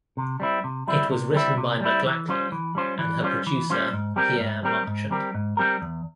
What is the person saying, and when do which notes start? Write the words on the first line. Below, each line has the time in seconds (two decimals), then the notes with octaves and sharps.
It was written by McLachlan and her producer Pierre Marchand.
0.17 C3
0.40 G3 C4 E4
0.64 C3
0.88 G3 C4 E4
1.11 C3
1.34 G3 C4 E4
1.58 C3
1.81 G3 C4 E4
2.06 E3
2.29 G3 C#4 F4 C5
2.52 E3
2.75 G3 C#4 F4 C5
2.99 E3
3.23 G3 C#4 F4 C5
3.47 E3
3.70 G3 C#4 F4 C5
3.93 G#2
4.16 G3 C4 G4 A#4
4.40 G#2
4.63 G3 C4 G4 A#4
4.87 G#2
5.11 G3 C4 G4 A#4
5.34 G#2
5.57 G3 C4 G4 A#4
5.82 E2